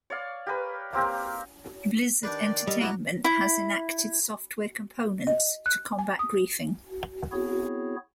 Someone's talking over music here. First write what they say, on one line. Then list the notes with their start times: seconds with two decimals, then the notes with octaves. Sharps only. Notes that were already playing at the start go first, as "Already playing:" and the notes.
Blizzard Entertainment has enacted software components to combat griefing.
0.10 C#5 D5 F5
0.46 G4 A#4 B4
0.93 A#3 C4 G4 A#4
2.23 D#3 D4 G4 B4 D5
2.67 G3 D#5
2.81 B2 B3 E4 F#4 D5 A#5
3.24 E4
5.27 D#5
5.66 F#6
5.99 G#5
6.19 D#6
7.32 B3 C4 E4 F#4 G#4 C#5